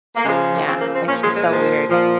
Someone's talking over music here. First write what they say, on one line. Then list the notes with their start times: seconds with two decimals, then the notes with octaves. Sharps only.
Yeah, it's just so weird.
0.16 A#3
0.25 C#3 G#3
0.28 F3
0.52 A#3
0.65 C#3 F3 C4
0.79 A#3
0.93 C4
1.07 A#2 C#4
1.11 F3
1.21 G#3
1.35 G#3
1.48 A#2 F3
1.88 A#2 F3